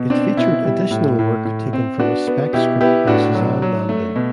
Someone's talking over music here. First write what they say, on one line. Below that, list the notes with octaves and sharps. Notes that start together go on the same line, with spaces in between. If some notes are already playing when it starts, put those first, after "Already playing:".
It featured additional work taken from a spec script by Susanne Lambdin.
Already playing: B2
C4 D4
B2 E4
G3
A2
A2
A2
C4
B3 D4 F#4
B3
B2 E4 G4
B3 E4 G4
A2 D4 F#4
F#3
F#3
A3
B2